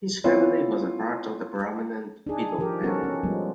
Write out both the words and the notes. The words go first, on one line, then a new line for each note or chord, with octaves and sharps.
His family was a part of the prominent Biddle family.
B3 C4 E4 F4 C#5
D4 D#4 G#4
D#3 F3 G4 A#4
B3 C#4 F#4 A4 A#4
C#4
F3 G3 G#3 B3